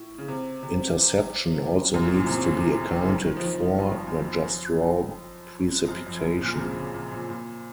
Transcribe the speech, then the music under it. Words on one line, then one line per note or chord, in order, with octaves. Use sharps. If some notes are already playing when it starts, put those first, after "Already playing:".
Interception also needs to be accounted for, not just raw precipitation.
Already playing: A2
C#3
C3
C3
F#2
A2
A#2
C3
C#3
C#3
D#3
D#3
F3
D#3
F3
F#2
F#2
F2
F2
F#2
F2
F#2
A#2
C3
C#3
C#3
A#2
A#2
A#2